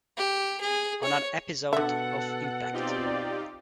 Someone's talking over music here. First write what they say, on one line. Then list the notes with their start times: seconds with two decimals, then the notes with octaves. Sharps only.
On an episode of Impact!
0.18 G4
0.61 G#4
1.03 C#5
1.73 B2 D3 A4 E5 F#5
2.74 C4 D#4 F4 G4 D5